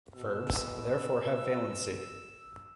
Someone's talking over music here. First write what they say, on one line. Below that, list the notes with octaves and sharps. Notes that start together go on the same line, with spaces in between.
Verbs therefore have valency.
B2 E6